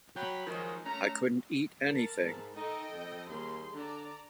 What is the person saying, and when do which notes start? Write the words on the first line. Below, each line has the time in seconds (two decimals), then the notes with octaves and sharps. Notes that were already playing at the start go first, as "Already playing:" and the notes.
I couldn’t eat anything.
0.16 F#3 G5 B5
0.46 D#3 F3 F#3 G#3 C#4
0.85 A3 C#4 A#5
1.84 A#4 A5 B5
2.21 G#2
2.56 D#4 A4 D#5 G5
2.91 F2
3.29 D#2 G3 G#4 C6
3.74 D3 D5 A5 A#5